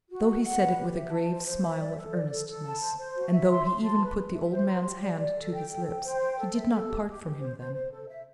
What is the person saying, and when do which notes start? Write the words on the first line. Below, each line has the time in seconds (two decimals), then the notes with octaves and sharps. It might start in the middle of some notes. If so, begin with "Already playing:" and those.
Though he said it with a grave smile of earnestness, and though he even put the old man's hand to his lips, he did not part from him then.
0.09 F#4
0.27 F#5
0.43 F#5
0.60 B4
0.77 G4
0.94 E5
1.11 A5
1.28 C5
1.45 C5
1.63 E5
1.79 D5
1.96 A4
2.13 D5
2.31 A4
2.47 A4
2.64 A5
2.81 C5
2.98 C5
3.15 F#4
3.32 E5
3.49 C6
3.66 C6
3.83 A5
4.00 B4
4.17 B4
4.33 E5
4.51 C5
4.68 C6
4.85 G4
5.02 D5
5.19 D5
5.37 A4
5.53 G5
5.70 A4
5.87 G5
6.04 C5
6.21 G5
6.38 A4
6.55 E5
6.73 A4
6.88 G4
7.05 G4
7.23 G4
7.39 C5
7.57 C5
7.74 C5
7.91 A4
8.08 E5